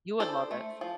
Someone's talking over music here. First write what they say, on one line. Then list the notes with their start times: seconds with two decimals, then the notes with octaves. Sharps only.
You would love it.
0.20 D4 A4 C5
0.51 A3
0.81 F3